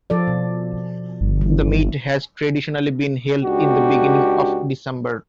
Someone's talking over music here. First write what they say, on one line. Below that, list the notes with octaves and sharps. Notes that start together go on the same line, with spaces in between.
The meet has traditionally been held in the beginning of December.
F3 A4 D5
B2
G1
E3
C#2 D4 F#4 G4